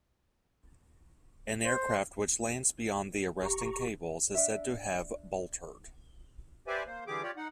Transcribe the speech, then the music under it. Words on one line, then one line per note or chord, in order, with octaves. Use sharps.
An aircraft which lands beyond the arresting cables is said to have boltered.
C5
E1 G4 A#5 C#6
D4 E5
G4 B4 C5 D5 E5 G#5
A#3 C5
D3 E3 G3 G4 G#4 D6
F4 G4 C#5 D5
D#4 F#5